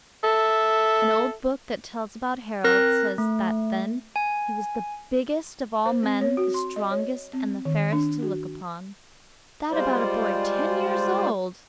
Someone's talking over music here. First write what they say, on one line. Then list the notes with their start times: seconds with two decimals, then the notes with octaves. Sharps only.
An old book that tells about Harald says that then "he was the biggest of all men, the strongest, and the fairest to look upon." That about a boy ten years old!
0.24 A4 E5
2.64 C4 A#4 F#6 A#6
3.18 A3
4.16 G#5
5.86 C5
6.03 C4
6.21 C#5
6.37 F#4
6.54 C6
6.76 D#5
6.91 C#5
7.33 C4
7.65 D#3
7.92 D4
8.23 F#4
9.72 G3 G#3 F4 C5 D5